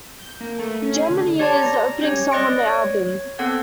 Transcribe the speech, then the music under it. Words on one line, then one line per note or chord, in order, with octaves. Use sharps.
"Jam of the Year" is the opening song on the album.
G6
A#3
A3
C#4
G#4
D3
G4 C#5 D5 A5 C6
A#5 A#6
C#4 G4 C#5
D5 D#5 F#6 A#6 C#7 D7
C#5
B3 C4 A4 F#5 G#6